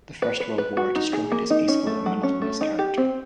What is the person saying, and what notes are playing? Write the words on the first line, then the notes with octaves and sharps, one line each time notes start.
The First World War destroyed its peaceful and monotonous character.
B4
B4
B4
F#4
D#4
G#4
A#3
D#4
C#4
A3
F#3
C#4
A3
D#4
G4
C4